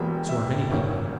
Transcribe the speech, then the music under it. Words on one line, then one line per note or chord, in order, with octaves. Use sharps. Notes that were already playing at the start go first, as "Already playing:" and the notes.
So are many people.
Already playing: E1 E2 B2 G3 A#3 G5
E5
G#1 G2 D#3 A#3 C#4